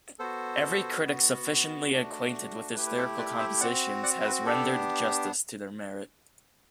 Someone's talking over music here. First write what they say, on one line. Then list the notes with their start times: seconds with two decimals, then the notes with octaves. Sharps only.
Every critic sufficiently acquainted with his lyrical compositions has rendered justice to their merit.
0.19 B3 F#4 A4 C5
1.05 B3 F#4
1.90 A3 D4 F#4
2.76 A3 E4 G4 B4
2.87 B4
2.97 A4 C5
3.18 B4 D5
3.39 C5 E5
3.61 C4 F#4 D5 F#5
4.03 D5 F#5
4.21 C5
4.25 B4
4.46 B3 D4 G4 A4